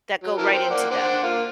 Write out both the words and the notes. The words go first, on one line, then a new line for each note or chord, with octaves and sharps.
that go right into them,
F#3
E3 A#4 A5
C5 G5
A#3 D5 F#5
D4 C5 F#5
A#3 F4